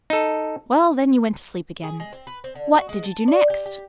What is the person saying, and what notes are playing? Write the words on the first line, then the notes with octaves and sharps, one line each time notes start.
"Well, then you went to sleep again. What did you do next?"
D#4 A4
G#4
G#3
C4
B4
C4
D3
F#4
G#3
A5
D5
G4
G4